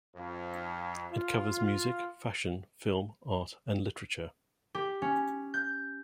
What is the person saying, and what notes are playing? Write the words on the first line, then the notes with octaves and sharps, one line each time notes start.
It covers music, fashion, film, art, and literature.
F2
F4
G4
C#4
G6